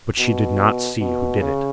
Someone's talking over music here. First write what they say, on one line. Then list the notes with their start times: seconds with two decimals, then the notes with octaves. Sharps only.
But she did not see who did it.
0.19 B2
1.00 B2
1.41 C#3